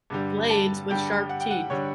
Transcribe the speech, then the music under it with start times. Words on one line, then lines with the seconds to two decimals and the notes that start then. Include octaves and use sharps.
Blades with sharp teeth.
0.10 G2 D3 G3
0.50 A5
0.90 G2 D3 G3 G5
1.29 F#5
1.41 G5
1.51 F#5
1.70 D3 G3 C#5